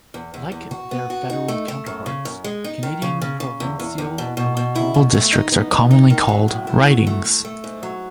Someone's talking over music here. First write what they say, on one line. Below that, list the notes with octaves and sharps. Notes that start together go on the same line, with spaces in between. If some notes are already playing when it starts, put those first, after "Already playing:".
Like their federal counterparts, Canadian provincial electoral districts are commonly called ridings.
E2
E2
E2
F#4
B3
F#4
D#4
A3
A3
F#2
C#3
F#2
G#3
D#4
D#3
C#3
C#3
C#3
E2
E2
E2
B2
B2
B2
E4
B2
A3
D#4
B3
D#4
D#4
D#3
F#3
A2
A3
F#3
A3
A3
A3
G#2
F#3